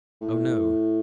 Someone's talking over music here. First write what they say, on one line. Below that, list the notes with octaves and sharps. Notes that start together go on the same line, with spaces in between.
"Oh, no."
A2